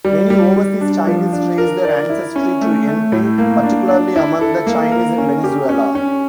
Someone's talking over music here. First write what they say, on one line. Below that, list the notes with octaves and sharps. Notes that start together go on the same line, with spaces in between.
Many overseas Chinese trace their ancestry to Enping, particularly among the Chinese in Venezuela.
G3
G3
G3
D4
F3
D4
A#4
D5
E4
C#4
A3
A3
A2
A#3
D4
D4
E4
A4
A#3
A#4
C#4
G4
C#4
C#4